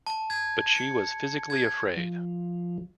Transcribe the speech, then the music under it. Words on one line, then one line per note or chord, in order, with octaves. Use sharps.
But she was physically afraid.
A5
G#6
C#7
G#6
F3